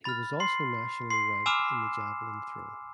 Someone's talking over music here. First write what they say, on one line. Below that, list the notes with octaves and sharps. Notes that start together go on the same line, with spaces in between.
He was also nationally ranked in the javelin throw.
B5 F6 A6
C6 C7
C6 C7
G#5 B5 D6 E6 F6 E7